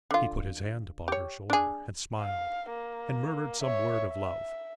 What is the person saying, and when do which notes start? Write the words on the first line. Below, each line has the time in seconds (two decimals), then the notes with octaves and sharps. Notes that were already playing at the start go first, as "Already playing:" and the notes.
He put his hand upon her shoulder, and smiled, and murmured some word of love.
0.11 D3 F4
1.08 G4 C#5
1.50 D4 G#4
2.21 F5
2.70 A#3
3.61 C#5 E5
4.10 E5